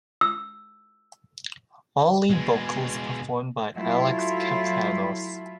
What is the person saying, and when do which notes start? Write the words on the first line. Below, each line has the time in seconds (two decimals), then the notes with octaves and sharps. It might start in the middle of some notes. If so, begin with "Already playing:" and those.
All lead vocals performed by Alex Kapranos.
0.21 E6
2.30 B2 G#3
3.75 F#3 A3 E4 F4